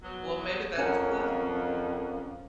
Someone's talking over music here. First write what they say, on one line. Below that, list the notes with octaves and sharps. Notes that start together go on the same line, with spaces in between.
Well, maybe that's the
F#3 B3
F2 C#4 A#4 F#5